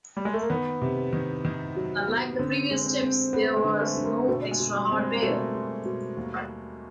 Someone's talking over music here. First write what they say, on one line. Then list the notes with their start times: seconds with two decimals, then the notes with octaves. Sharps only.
Unlike the previous chips, there was no extra hardware.
0.17 G3
0.25 G#3
0.34 A3
0.42 A#3
0.50 D#3 B3
0.82 C3
1.13 D#3
1.45 D#3
1.76 F#3
2.07 B3
2.39 D3 C4
2.71 G#3
2.86 C4
3.02 C4
3.33 B3 C4
3.57 G#3
3.64 D3
3.80 A3
3.97 D3
4.04 A#3
4.28 B2 A3
4.51 G#3
4.60 B2
4.75 G3
4.91 C4
4.99 G#3
5.14 A#3
5.22 B2 A3
5.54 G#3
5.85 B2
6.17 D#2